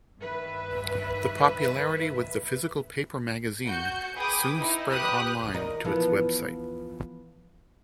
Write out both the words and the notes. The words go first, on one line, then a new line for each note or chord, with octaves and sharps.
The popularity with the physical paper magazine soon spread online to its website.
G2 D#3 B4 E5
F#4 G6 C#7
G#4 B4 G5 B5 D6 D#6
D#4 E4
G4 B4 D#6 F#6
D#3 A#4 D#5
E3 F3 B3